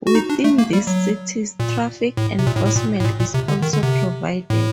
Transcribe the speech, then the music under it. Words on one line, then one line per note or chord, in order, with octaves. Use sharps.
Within these cities, traffic enforcement is also provided.
F#4
D#4
D4
A3
A#3
G3
F#3
A#2
A2
C3
A#2
A2
A2
A#2
A2
A#2
A#2
C3
D3
D#3
D3
C3
A2